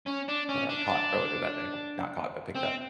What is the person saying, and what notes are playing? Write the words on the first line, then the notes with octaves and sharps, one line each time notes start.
uh, caught earlier that day, well, not caught, but picked up.
C#4
D4
C#4
D4
C4